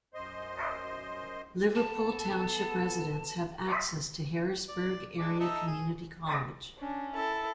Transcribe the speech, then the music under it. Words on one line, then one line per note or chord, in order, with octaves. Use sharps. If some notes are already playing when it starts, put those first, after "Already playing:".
Liverpool Township residents have access to Harrisburg Area Community College.
F#2 C5 D#5 C6
B3 A4 A5
D5
G#3 D4 D6
D#4 A4 E5
G#4
C#4 D4
E4 A4